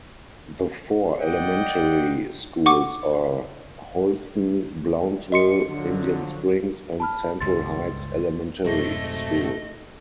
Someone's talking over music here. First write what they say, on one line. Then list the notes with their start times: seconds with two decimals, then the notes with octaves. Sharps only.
The four elementary schools are Holston, Blountville, Indian Springs, and Central Heights Elementary School.
1.21 D5 D#5 F#5 G5
2.66 F#5 C#6 D6
5.32 D#5 C6 C#7
5.68 D3 F3 F#3
7.00 A5 B5 F6
7.41 C#2 G2 C6 A6
8.65 F2 G#2 B2 F#3 A3 C4 D#5